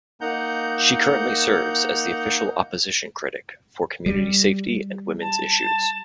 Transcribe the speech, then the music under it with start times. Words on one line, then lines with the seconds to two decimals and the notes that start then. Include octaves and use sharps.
She currently serves as the Official Opposition Critic for Community Safety and Women's Issues.
0.21 A#3 D#4 F#5 A#5 G6
4.06 G3
5.21 A5